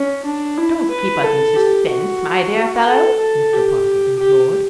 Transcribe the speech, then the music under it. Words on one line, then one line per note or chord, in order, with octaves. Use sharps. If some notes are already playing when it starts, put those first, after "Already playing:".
"Don't keep us in suspense, my dear fellow!" Mr. Parker implored.
Already playing: C#4
D4
E4
B4
A4
G4
F#4
A4
A4
G4
G4